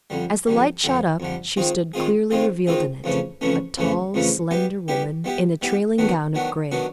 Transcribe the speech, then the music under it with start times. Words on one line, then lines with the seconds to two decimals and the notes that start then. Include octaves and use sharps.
As the light shot up she stood clearly revealed in it--a tall, slender woman in a trailing gown of grey.
0.10 F2 D3 G3
0.47 F2 D3 G3
0.84 F2 D3 G3
1.20 F2 D3 G3
1.57 D#3 G#3 C4 F4 G#4
1.94 D#3 G#3 C4 F4 G#4
2.31 D#3 G#3 C4 F4 G#4
2.67 D#3 G#3 C4 F4 G#4
3.04 F2 C#3 E3 A3 C#4
3.41 F2 C#3 E3 A3 C#4
3.78 F2 C#3 E3 A3 C#4
4.14 F2 C#3 E3 A3 C#4
4.51 G3 B3 E4 G4
4.88 G3 B3 E4 G4
5.24 G3 B3 E4 G4
5.61 G3 B3 E4 G4
5.98 D#3 F#3 B3 D4 F#4
6.35 D#3 F#3 B3 D4 F#4
6.71 D#3 F#3 B3 D4 F#4